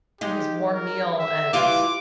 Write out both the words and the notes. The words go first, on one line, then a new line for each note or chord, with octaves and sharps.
his warm meal and
G#3 D#4 G4
A#4
E5
E3 G3 F4 D6